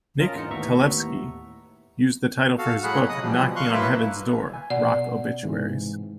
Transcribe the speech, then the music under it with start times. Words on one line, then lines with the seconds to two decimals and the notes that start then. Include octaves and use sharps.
Nick Talevski used the title for his book, Knocking On Heaven's Door: Rock Obituaries.
0.19 C#4 F4 A#4 D#5 A5 A#5
0.34 E2 G#2 D3 D#4 C#7
0.50 D#2 A2 B3 E5 A#5 C#6
2.58 F#4 A4 F5
2.84 A2 F#3 G#4 F#5 B5 F#6
3.09 C#3 D#5 D#6
3.20 B2 E3 F3 G3
3.56 F5 C6 C#6 F#6
3.73 F#3 A#3 E4 B4 E5
4.54 G#5
4.70 B2 D5 F#5
5.43 G#2 C3 E3